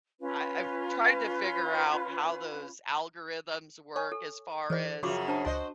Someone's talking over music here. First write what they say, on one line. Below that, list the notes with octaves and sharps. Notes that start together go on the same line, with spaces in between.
I I've tried to figure out how those algorithms work as far as,
C#4 F4 B4
C#5 G#5 C#6
A4
E3 G#4 C5 D5
F#2 A2 C#3 F3 F#4 C#6 D6
D4 C5 A5
C#2 F#4 C5 D#5 G#5 A5